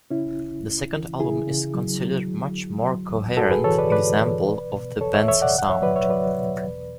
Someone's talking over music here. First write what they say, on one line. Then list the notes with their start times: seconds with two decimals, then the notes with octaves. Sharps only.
The second album is considered a much more coherent example of the band's sound.
0.11 C#3 C#4 E4
0.38 D2
0.65 D2
0.93 E3
1.20 C#3 E4 G#4
1.47 C#3
1.74 F#3
2.01 F#3
2.29 D3
2.57 E2
2.83 F#3
3.10 E2
3.37 G#2 F#4 A4
3.51 G#4 B4
3.64 E3 A4 C#5
3.79 B4 D5
3.92 G#2 B4 D5
4.19 E3
4.47 B2
4.74 B2
5.00 E2 A4 C#5
5.14 C#5 E5
5.28 E2 C#5 E5
5.42 D5 F#5
5.55 C#2 F#5
5.69 C#5 E5
5.82 F#3 B4 D5
5.96 C#5 E5
6.09 F#3 B4 D5
6.38 B2
6.64 E2